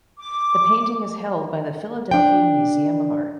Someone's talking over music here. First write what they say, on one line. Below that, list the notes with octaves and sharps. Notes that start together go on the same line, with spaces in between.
The painting is held by the Philadelphia Museum of Art.
D6
D4 G5